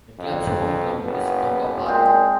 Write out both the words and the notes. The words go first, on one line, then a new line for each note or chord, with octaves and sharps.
The club's home ground is Tonga Park.
F2
F#1 B3
A#2 G#3 C4